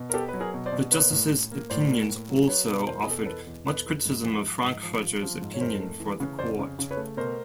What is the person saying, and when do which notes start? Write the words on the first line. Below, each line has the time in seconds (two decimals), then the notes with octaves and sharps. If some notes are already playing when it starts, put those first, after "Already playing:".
The justices' opinions also offered much criticism of Frankfurter's opinion for the court.
Already playing: B2
0.10 A#4
0.14 B3 G4 A4
0.28 F#3 B4
0.40 G#4 A#4
0.54 B2
0.66 C5 D5
0.72 B2
0.92 A#3 B4 C#5
1.12 A2
1.32 A2
1.51 A#3
1.70 A2 C5 D5
1.89 A#3
2.09 A2
2.29 F#3
2.48 F#3 B4 C#5
2.68 B2
2.87 E2 A#4 C5
3.03 G#4
3.06 B2 A4
3.18 A#4
3.26 E2 A4 B4
3.47 E2
3.66 B2 A4 B4
3.86 E2
4.05 G#2
4.24 F3
4.44 F3
4.63 G#2
4.83 F3
5.02 F3
5.22 F3
5.42 G#2
5.54 C#5
5.61 F2 A#4 C5
5.80 A3
6.00 E3
6.20 C#3
6.39 F2 C5 D5
6.59 C#3
6.79 C#3
6.91 B4 C#5
6.97 A3
7.17 B2 A#4 C5